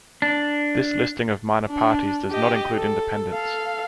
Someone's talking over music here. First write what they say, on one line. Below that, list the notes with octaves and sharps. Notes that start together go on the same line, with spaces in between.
This listing of minor parties does not include independents.
D4
D4
G4 D#5
A4
A4 F5